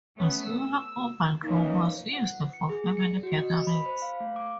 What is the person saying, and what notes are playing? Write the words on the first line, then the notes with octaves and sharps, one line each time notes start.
A smaller oval room was used for family gatherings.
A3 B3 C#4
E6
E3 A#3 C#4 D#4
F#5
C#7
G#4
C#7
F#4
D#5
B5
C5
F5
A3
D6